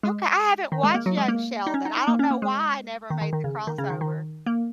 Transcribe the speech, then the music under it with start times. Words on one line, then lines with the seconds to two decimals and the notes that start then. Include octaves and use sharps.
Okay, I haven't watched Young Sheldon, I don't know why I never made the crossover.
0.03 G#3
0.72 D#3
0.83 G#3
0.94 A#3
1.06 F#3
1.17 G#3
1.28 A#3
1.67 D#4
1.74 C#4
1.85 D#4
1.97 D#4
2.08 A#3
2.19 C#4
2.31 A#3
2.42 G#3
3.10 D#3
3.21 D#3
3.33 D#3
3.44 C#3
3.67 D#3
3.78 C#3
3.90 D#3
4.01 D#3
4.46 A#3